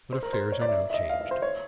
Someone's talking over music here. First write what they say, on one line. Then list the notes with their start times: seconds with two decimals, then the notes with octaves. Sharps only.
But affairs are now changed.
0.13 C5
0.23 A#4
0.33 C5
0.52 C#5
0.62 D5
0.69 E5
0.90 E5
0.94 D#5
1.09 F5
1.21 E5
1.31 C5
1.42 C#5